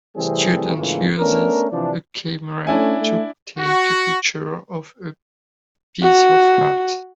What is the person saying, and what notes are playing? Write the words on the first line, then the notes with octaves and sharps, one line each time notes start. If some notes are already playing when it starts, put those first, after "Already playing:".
Student uses a camera to take a picture of a piece of art.
C3 E3 G3 A3 C4 G#4
G#2 C#3 E3 A3 A#3 F4
A3 B3 C#4 D4 A#4
C3 E3 F3 D4
A3 C#4 D4 E4 G#5
A3
F#4
F#4